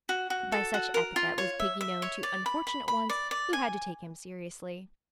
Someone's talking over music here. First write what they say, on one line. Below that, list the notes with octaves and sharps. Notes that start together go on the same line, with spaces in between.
By such epithet was Piggy known to unfortunate ones who had to take him seriously.
F#4
F#4
A4
F#4
A#4
F4
C#5
E5
E5
C#5
D5
B5
B5
B5
D5
D5
G#5